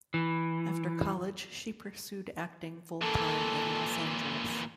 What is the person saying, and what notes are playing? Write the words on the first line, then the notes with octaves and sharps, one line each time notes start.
After college, she pursued acting full-time in Los Angeles.
E3
A#2 E3 A4